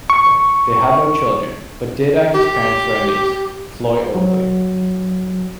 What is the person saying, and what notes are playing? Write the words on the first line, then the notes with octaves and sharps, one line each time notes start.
They had no children, but did act as parents for a niece, Floy Oakley.
C#6
G4
F#3